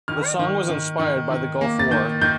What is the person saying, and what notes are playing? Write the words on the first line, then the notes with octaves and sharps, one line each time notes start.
The song was inspired by the Gulf War.
D#3 F6
D#3
D#3
D#3
D#3
A#3
A6
D#3 G6
D#3 G6